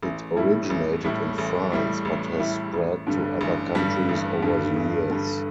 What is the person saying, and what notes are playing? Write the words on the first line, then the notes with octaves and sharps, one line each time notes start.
It originated in France but has spread to other countries over the years.
A1
A2 G3 E4
A1
A2 G3 E4
A1
A2 G3 E4
A1
A2 G3 E4
A1
G2 D3 G3
A1
G2 D3 G3
A1
G2 D3 G3
A1
G2 D3 G3